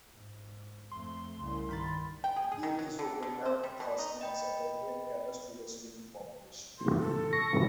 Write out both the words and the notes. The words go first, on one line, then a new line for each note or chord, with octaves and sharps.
The Gait is open every Thursday and Saturday, and caters to the student population.
G#2
F2 A3 C6
C2 C#3
G2 D#3 B5 A6
G5
G#4
G#4
D#3
F#3
D3
D3
C5
G3
B2
D#4
D#5 G5 B5
C6
A4
C#6 A#6